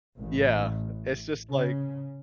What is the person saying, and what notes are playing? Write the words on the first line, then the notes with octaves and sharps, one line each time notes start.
Yeah, it's just, like
A1
C#3